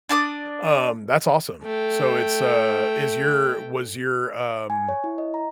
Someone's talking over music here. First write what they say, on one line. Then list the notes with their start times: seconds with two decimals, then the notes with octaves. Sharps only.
Um, that's awesome. So it's, uh is your was your, um,
0.09 D4 D5 D6 D#6
1.63 A3 G5
4.70 G#5
4.89 C#5
5.04 E4
5.18 D#5
5.34 A#5